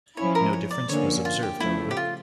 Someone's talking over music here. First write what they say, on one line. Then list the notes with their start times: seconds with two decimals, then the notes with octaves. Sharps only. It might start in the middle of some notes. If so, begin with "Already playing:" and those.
No difference was observed, however.
0.17 F3 C#4 E4 C#5
0.35 A#4
0.53 C#5
0.71 D5
0.89 D3 F3 A#3 C#4 C#5
1.25 F4
1.43 G4
1.60 C#3 F3 A3 E4
1.91 G4
1.97 F4